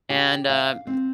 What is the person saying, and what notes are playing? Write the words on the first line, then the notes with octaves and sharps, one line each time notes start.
and, uh, m
G4
F5
C4